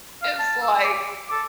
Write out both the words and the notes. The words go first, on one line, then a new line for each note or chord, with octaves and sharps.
it's like
F5
A5
E6
D6
A4